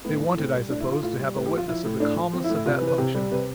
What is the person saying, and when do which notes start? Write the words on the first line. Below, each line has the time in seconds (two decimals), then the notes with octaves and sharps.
They wanted, I suppose, to have a witness of the calmness of that function.
0.05 A2 B3
0.21 E3
0.37 A2 C4
0.54 G3
0.70 A2 D4
0.80 E4
0.87 E3 F4
1.02 A2 F4
1.19 G3
1.35 A2 B4
1.46 G4
1.52 F3
1.57 F4
1.68 F3 E4
1.85 A2
2.00 A2 D4
2.16 F3
2.33 F3 C4
2.44 E4
2.50 A2
2.55 E4
2.66 C3 F4
2.77 B4
2.82 E3
2.87 B4
2.98 C3 G4
3.15 G3
3.31 C3 B4